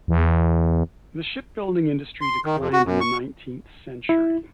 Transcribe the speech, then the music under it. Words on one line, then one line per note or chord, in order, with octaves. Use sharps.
The shipbuilding industry declined in the nineteenth century.
E2
C6
D#3
F2
F#4
F#2
C#6
E4